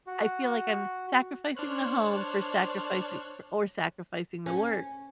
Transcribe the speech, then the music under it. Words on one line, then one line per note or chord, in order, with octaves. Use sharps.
I feel like I'm sacrificing the home for sacrifici or sacrificing the work,
F#4
D4 C5 C#5 F6 F#6
C#4